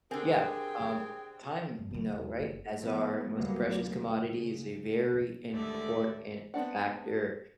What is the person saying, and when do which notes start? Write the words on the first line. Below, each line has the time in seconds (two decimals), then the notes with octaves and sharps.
Yeah, um, time, you know, right, as our most precious commodity is a very important factor,
0.11 D3 C4 G4 G#4 A#4 G5 G#5
1.79 G2
1.91 C#3 F#3
2.12 E2
2.40 F#1
2.82 F3 G#3 A3 B3
3.34 D2 D3 F#3 G3 A#3 B3
3.85 C#3
5.50 D#2 D3 G#3 A3 D5 E5
6.54 B3 C4 D4 F#5